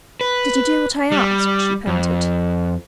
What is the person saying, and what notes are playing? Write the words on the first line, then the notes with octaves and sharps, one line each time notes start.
"Did you do what I asked?" she panted.
B4
G3
F2